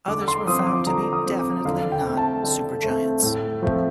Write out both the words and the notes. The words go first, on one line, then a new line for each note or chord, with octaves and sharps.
Others were found to be definitely not supergiants.
D3 D6
C6
F3 C4 D#6
D6
D3 A#5
D#6
F3 C4
D6
D3 F5
G5
A3 C4
A5
D3
A3 C4
A2
F3 A3 C4